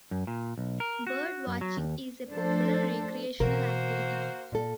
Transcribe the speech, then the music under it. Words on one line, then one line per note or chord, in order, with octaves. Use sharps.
Bird watching is a popular recreational activity.
F#2
A#2
B1
A#4
F#4
F#2
F#3
D#2
F3 A3 D4 A4 C5
B2 E3 A#3 F#4 A#4 C5
A#2 A4